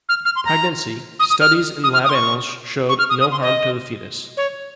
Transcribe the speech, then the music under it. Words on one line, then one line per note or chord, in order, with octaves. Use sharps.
Pregnancy: Studies in lab animals showed no harm to the fetus.
F6
F6
C6
A#5
D#6
D#6
F6
D#6
F6
D#6
C6
C#6
C#6
F6
D#6
D#6
C6
D#5
C#5